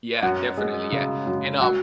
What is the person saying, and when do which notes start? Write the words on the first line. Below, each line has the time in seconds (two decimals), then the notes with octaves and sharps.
Yeah, definitely, yeah, and, um
0.23 F#2 F#5
0.57 G#3
0.92 C#3
1.27 F#2
1.61 F#3 F#5